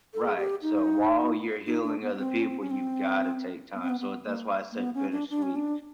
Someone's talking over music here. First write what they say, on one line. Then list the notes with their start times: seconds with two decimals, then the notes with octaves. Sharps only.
Right. So while you're healing other people, you've gotta take time. So that's why I said bittersweet
0.14 A4
0.25 G#4
0.37 G4
0.62 D#4
1.66 D#4
1.83 D4
2.01 B3
2.14 B3
2.18 C4
2.39 C#4
2.44 C4
2.60 C#4
2.70 C4
3.75 B3
3.81 C4
3.89 B3
4.00 B3
4.25 A#3
4.72 A#3
4.78 B3
4.95 C#4
5.12 D4
5.30 D4
5.42 C#4
5.56 D4